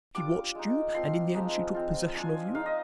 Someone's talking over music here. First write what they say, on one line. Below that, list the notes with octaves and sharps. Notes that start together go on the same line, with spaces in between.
She watched you, and in the end she took possession of you?
G3 D4 F4 D6
G#3 D#4
F3 C4 F4 C6
F3 G#3 D#4
F3 C4 F4
G#3 D4 F4 G#5
G#3 D#4 F5
D#5